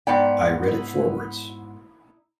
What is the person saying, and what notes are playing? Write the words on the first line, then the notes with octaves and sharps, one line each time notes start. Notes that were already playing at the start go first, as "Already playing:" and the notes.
I read it forwards.
G#2 B3 D5 G5
D#4 E4